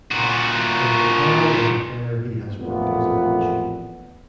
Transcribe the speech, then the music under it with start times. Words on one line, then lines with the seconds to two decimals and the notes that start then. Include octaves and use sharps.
Since retiring as a player he has worked as a coach.
0.11 A#2 F#4
2.58 A1 F2 A#2 B3